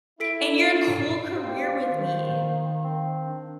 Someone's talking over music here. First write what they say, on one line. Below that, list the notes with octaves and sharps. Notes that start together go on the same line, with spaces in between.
and your cool career with me.
E4 A4 B6 D7
G4 C5 F5
D#3
C4
D4